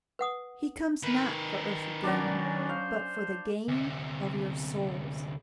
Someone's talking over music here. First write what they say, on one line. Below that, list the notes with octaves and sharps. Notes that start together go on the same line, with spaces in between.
He comes not for earthly gain, but for the gain of your souls.
B4 F#5 D#6
D#3 B4
F#3 C#4 D4 F#4 D5
C5 F5
D2 C3